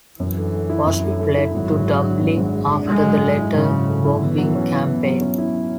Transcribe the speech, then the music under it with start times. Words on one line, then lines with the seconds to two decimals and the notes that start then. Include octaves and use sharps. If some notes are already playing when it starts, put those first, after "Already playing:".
Busby fled to Dublin after the letter-bombing campaign.
0.20 F#2 E3
0.37 D3
0.54 A3
0.70 E4
0.86 F#2
1.04 D3
1.20 A3
1.37 E4
1.54 G#1 F#3
1.71 G#2
1.87 G#3
2.04 D4
2.21 G#1
2.37 G#2
2.53 G#3
2.71 D4
2.87 G#2 G#3
3.04 F#3
3.21 A3
3.38 E4
3.54 G#2 C#3
3.71 F#3
3.87 A3
4.04 E4
4.21 B2 E3
4.38 F#3
4.55 C#4
4.71 E4
4.88 B2
5.04 F#3
5.21 C#4
5.38 E4